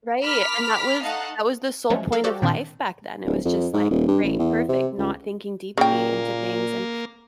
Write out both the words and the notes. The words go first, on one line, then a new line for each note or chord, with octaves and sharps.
Right, and that was that was the sole point of life back then, it was just, like, "Great, perfect," not thinking deeply into things. And
A#4 B5 D6 F6 B6
A3 D#4 D#5 F5 F#5 A5
F3 F#3 G#3 A3 C#4
A4 A#4 F5
F#4 G4 A4 C5 D5
A#2 D#3 C4 D4
D1
F2
G#2
D#1
G2
A1
E2
C3
C#2
A#2 C#3 A#3 G5